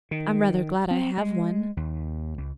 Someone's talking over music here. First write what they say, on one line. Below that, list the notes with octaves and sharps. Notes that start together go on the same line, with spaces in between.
I'm rather glad I have one.
D#3
C4
G#3
D#2
C#2